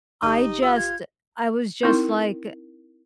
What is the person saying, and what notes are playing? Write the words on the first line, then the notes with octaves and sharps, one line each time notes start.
I just I was just, like, eh,
G1 D#4 G4
F4 E6
G#6
C4 D#4 E4 A#4